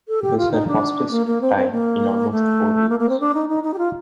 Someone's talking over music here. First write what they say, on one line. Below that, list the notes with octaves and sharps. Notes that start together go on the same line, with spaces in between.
It was her fastest time in almost four years.
A4
G4
F4
D#4
D4
A#3
A#3
C4
C4
A#3
A3
A#3
A#3
C4
D4
D#4
D#4
D#4
G4
F4